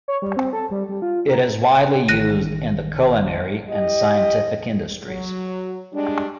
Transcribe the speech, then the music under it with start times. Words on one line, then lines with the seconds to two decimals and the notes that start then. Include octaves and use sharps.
It is widely used in the culinary and scientific industries.
0.08 C#5
0.22 G3
0.37 C4
0.53 A4
0.71 G3
0.89 G3
1.02 F4
1.29 A#4
2.08 A1 D#3 F#6 A#6 D#7
3.69 E4 G4 D#5
5.06 F#3
5.93 G3 G#3 D4